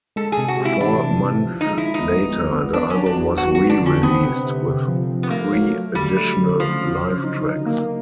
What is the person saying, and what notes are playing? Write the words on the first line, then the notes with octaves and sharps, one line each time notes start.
Four months later, the album was re-released with three additional live tracks.
G#3 A4
G#4
C3
F#4
C3
E4
E3 D4
C3
C3
F3
D#4
G#3
E4
F3
D#4
B3
G#3
B3
B3 D4
C#4
F#3
D4
B3
F#3 F#4
B3 F#4
D4
D3 C#4
B3 C4
C3
C3
C3
F3
F3
B3
A3 A#3
F#3
A3
D3 G3
A3
D3
C#3 F3
F#3
C#3
D#4
D#4
A#3